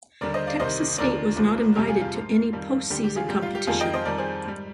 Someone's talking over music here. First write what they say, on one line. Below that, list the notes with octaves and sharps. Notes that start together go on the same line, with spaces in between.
Texas State was not invited to any postseason competition.
D#2 D3 G3 A#4 D5
C5 D#5
D5 F5
C2 C3 D#3 C5 D#5
D#2 D3 F3 A#4 D5
C2 A#2 F3
F2 C3 G3 G4 A#4
F4 G#4
F4
G#2 F3
F2 D#3 G3
D2 D3 G3 G4
G4
F4 G#4
G#2 G3 G4
F4
G4
F2 D#3 G3 F4 G#4
D#5 G5
C5 D#5
F2 D#3 G3 A#4 D5
G#4 C5
G#2 G3